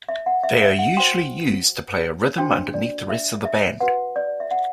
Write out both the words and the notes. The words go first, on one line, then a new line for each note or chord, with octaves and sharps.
They are usually used to play a rhythm underneath the rest of the band.
E5
F#5
E5
E5
F#5
F#4 C5 G5
D4 F#4 C5 G5
D5
E5
E5
F#4 B4 F#5
D5
E5
F#5